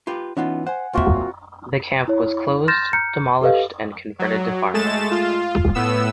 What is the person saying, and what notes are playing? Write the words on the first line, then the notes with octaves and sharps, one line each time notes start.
The camp was closed, demolished and converted to farmland.
F4 G4 B4
E3 B3 C#4 D#4 F4 F#5
C5 F#5 G#5
B1 A#3 C4 F4 F#4 E5
E4 C#5
C6 F6 G6 A6 A#6 E7
A#5 F6 G6 C#7
G4 A4 B4 D#5 F5
F#3
G#3 A3 A6 E7
F4
A2 B3 E6